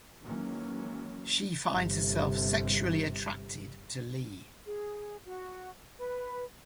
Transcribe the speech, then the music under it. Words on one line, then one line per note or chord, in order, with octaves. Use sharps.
She finds herself sexually attracted to Leigh.
D#3 E3 F#3 G#3 A#3 C#4
G1 C3
G#4
F#4
B4